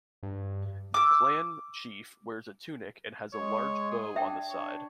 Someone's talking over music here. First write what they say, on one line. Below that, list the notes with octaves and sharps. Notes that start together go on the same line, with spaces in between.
The clan chief wears a tunic and has a large bow on the side.
G2
D6 E6
G#3 C#5
G#4
D4 E5 G5
D4 C#5